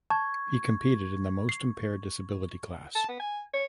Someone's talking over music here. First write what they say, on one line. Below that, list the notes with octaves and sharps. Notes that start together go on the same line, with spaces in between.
He competed in the most impaired disability class.
A5 C#6 G#6
C7
A5
B3
G#5
C#5